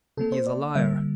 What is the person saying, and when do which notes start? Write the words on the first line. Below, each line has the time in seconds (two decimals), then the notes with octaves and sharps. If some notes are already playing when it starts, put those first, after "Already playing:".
He is a liar.
0.17 C3 F3 A#3 A4
0.32 C5
0.47 D5
0.75 D3 G3 A#3 E5